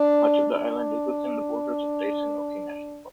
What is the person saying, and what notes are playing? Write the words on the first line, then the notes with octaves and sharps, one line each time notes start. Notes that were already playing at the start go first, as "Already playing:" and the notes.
Much of the island is within the borders of Daisen-Oki National Park.
Already playing: D4
D4